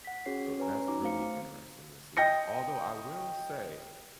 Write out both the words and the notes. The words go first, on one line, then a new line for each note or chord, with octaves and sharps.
So that's really interesting to see. Although I will say
F#5 B6
C#4 F#4 G#4 C#5 C7
C#4 B4 C#5 G#5 A#5
D#4 F#4 A#5 D6
A3 C4 C5 F5 C#7
D#5 G5 G6 A#6 C#7